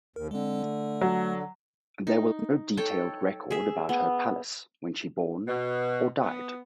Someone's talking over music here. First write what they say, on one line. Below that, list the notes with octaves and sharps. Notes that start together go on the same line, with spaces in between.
There was no detailed record about her palace when she born or died.
D#2 A#4
D3 G#3 C4
A3
F#3
D#4
A4 C#5 G5
G#4 E5
B3
B2
B3